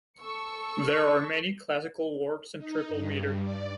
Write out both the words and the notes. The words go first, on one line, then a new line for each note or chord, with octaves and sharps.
There are many classical works in triple metre.
A4 C#6 E6 C#7
D#4
G2
D5